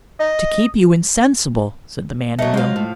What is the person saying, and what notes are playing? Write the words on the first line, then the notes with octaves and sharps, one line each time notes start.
"To keep you insensible," said the man in yellow.
D#5
F#3 A3 D#5
F3 G#3 F5
A2